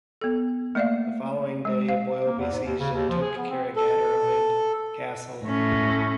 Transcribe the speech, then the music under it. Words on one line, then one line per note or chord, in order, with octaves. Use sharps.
The following day, Boyle besieged and took Carrigadrohid castle.
B3 A4
A3 A#3 D5 E5 F5
G#3
F5
A#3
E2
G#2
D#2
C#3
D#2
F3
G#4
B3
C4
A4
A2 C#4